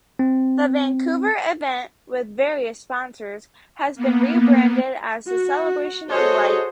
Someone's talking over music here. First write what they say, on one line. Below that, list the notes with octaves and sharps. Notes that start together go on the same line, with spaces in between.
The Vancouver event, with various sponsors, has been re-branded as the "Celebration of Light".
C4
A#3 B3
F#4
F#4 G#4 A4 C5 C#5 D#5